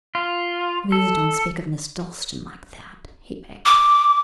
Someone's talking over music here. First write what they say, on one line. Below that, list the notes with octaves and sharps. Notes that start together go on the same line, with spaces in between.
"Please don't speak of Miss Dalstan like that," he begged.
F4
A4
D6